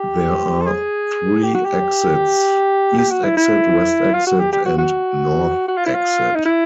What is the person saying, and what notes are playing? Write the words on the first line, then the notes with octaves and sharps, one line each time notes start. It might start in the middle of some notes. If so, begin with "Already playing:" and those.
There are three exits: East exit, West exit, and North exit.
Already playing: G4
A4
G#4
G4
F#4
G4
G4
F#4
E4
E4
F4
F#4
G4
G4
F#4
F#4
F#4
F4
E4
F4
D#4
E4